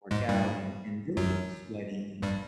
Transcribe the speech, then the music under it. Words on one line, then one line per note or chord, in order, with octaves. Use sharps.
work out, and and really get to sweating,
G#2 G#3
G2 G3
F#2 F#3
G2 G3